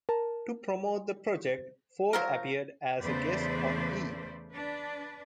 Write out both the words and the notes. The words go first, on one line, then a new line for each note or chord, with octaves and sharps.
To promote the project, Ford appeared as a guest on E!
A#4 A5
F3 F#3 A#4
E2 C#3 A3 B4 C5 D5
D4 B4